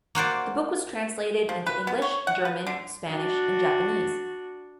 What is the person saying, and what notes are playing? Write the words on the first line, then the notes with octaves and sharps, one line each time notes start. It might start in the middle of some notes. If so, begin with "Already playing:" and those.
The book was translated into English, German, Spanish and Japanese.
A#3 F#4 C5 D5
F3
B4
B3
C#5
F#5
B4
D3
D4 F#4